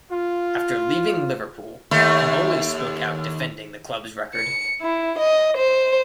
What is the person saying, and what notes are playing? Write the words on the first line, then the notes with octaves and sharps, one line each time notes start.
After leaving Liverpool, Comolli spoke out defending the club's record.
F4
D#2 A3
C#7
E4
D#5
C5